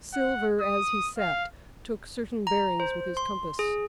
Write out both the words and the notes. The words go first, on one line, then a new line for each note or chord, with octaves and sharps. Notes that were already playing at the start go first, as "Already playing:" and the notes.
Silver, as he sat, took certain bearings with his compass.
F#5
D#6
F5
A#5
C5
C6
G#4